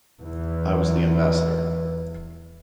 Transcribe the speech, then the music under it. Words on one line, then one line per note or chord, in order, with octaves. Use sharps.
I was the ambassador.
E2 E3